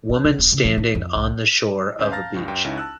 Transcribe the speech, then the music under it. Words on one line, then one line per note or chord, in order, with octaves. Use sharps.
Woman standing on the shore of a beach.
D3
C2
D#1
C#3
E3
D#3
F2
C2
D2 C#4 B4 E5 C6 G6
F5 A5 A#5 F6 A6 A#6
C#2 G2
F#2 G5
C#2 C#4 D#4 E4
A5 E6 F#6